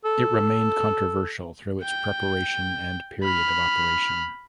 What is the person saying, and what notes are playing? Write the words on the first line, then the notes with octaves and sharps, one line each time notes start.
It remained controversial through its preparation and period of operation.
A4
G5
B5 F6